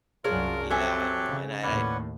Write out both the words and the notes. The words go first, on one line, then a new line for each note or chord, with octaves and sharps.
Yeah, I don't know, and I I
C2 F#2 F#3 D4 F4 G#4 A#4 C#5
F#3 C4 G4 A4 E5 G#5 A5
C#3
D#2 A2 C#4 B4 D5 F#5